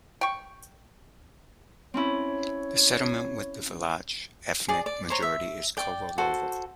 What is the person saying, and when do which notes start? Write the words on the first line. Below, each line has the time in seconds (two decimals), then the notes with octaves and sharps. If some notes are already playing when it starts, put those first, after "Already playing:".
The settlement with a Vlach ethnic majority is Kovilovo.
0.21 G5 C#6
1.94 C4 C#4 E4 C#5
4.69 G#4 D5
4.86 D5
5.10 C5 C#5 A#5
5.22 E5
5.77 D5 G5
6.18 F#4 A4 C5